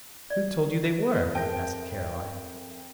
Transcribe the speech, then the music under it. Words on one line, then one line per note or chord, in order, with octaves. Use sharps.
"Who told you they were?" asked Caroline.
D5
F2 G#4 A#4 C5 E5 G5 A5 A#6